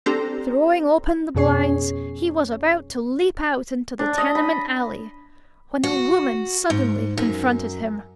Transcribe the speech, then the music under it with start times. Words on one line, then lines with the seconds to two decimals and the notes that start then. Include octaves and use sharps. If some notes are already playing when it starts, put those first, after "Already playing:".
Throwing open the blinds, he was about to leap out into the tenement alley when a woman suddenly confronted him.
0.06 C4 D4 G4 A4 C5 A#5
1.35 F2 B2 C#4 G#4 C#5 C7
3.99 D4
4.18 D#5
4.35 B5
5.83 F#4
6.70 G#2
7.17 F#2